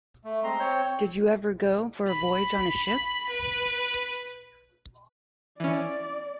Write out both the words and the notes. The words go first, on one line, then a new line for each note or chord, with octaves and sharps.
Did you ever go for a voyage on a ship?
A3
G#3 C4 A#5 C6
C4 C#5 G6
B5
B4
E3 C#4 D5